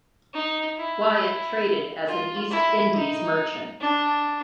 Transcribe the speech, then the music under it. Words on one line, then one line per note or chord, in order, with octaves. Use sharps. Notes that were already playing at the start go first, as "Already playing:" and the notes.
Wyatt traded as an East Indies merchant.
D#4
E4
F4
E4
D#4
D4